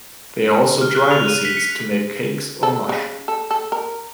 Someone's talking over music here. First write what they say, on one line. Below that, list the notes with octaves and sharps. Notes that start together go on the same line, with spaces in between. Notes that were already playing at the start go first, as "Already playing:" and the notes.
They also dry the seeds to make cakes or mush.
F6
F#6
F7
D#7
B6
C#7
A4
C#3
A4
A4
A#4